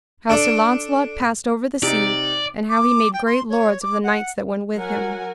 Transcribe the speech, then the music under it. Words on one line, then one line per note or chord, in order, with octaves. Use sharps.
How Sir Launcelot passed over the sea, and how he made great lords of the knights that went with him.
D4 A4 D5
C3 D#4 D5
D6
G5
C6
C#5
D6
F#5
F#3 A#4 F#5 G#5